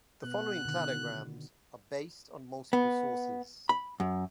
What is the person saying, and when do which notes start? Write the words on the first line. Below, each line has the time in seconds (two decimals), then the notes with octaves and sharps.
The following cladograms are based on multiple sources.
0.24 B2 B3 F#6
0.65 B2 D3 D#3
2.73 B3
3.69 B5
4.00 F#2